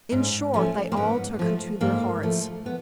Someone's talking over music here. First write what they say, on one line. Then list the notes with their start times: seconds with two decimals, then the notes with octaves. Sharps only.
In short they all took her to their hearts.
0.12 G#2 C#4
0.54 F3 A3 C#4
0.92 A#3
0.97 G#2 B3
1.39 F3 A3
1.81 G#2 A#3
2.23 F3 A3
2.66 B3